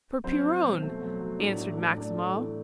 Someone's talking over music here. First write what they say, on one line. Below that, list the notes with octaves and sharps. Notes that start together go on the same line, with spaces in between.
"For Piron!" answered Maximov.
F#3 C4 C5
F#3
B2
A3
F#3
F#3
A2 D4 D5
A3
A3
A3 D4 D5
A3
E3